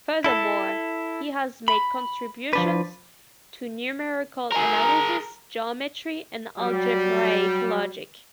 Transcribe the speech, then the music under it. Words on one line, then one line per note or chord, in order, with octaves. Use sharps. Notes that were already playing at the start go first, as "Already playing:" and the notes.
Furthermore, he has made contributions to numerical analysis, geometry, and algebraic logic.
E4 A4
B5
F3 D4 B4
G#4 A#4
F#3 G3